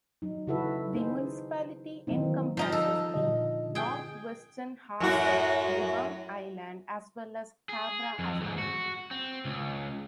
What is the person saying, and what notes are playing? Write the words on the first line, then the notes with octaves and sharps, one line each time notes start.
The municipality encompasses the north-western half of Lubang Island, as well as Cabra Island.
F#3 D#4
C#3 E4 F#4 A4 B4 E5
D#4 G#4 C5
D#3 E3 F#3 A#3 C4 D#4
F3 D#4 A#5
A4
A#2 D3 D#5
G#4 G5
F#2 A2 F#4
G#4
F2
E2 G#2
F#4
C4
C#2